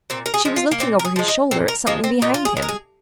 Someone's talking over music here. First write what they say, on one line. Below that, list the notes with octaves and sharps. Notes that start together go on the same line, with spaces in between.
She was looking over his shoulder at something behind him.
A#2 C4
A#4
G#4
F3 G#3
F4
A#3
A#2 C4
A#4
G#4
F3 G#3
D#4
A#2 C4
A#4
F3 G#3 A#3
C4
A#2 D#4
F4
G#4
G#3
A#4
G#4